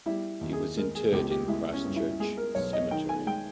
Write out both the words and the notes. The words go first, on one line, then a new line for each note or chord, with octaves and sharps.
He was interred in Christ Church Cemetery.
G3 E4
D#2
G#4
G#3 A#4
G#4
C#2 G4
G4
G#3 E4
C#4
G2
E4
G#3 G#4
A#4
B1 C#5
D#5
D#3 G5
G#5
G#3 G5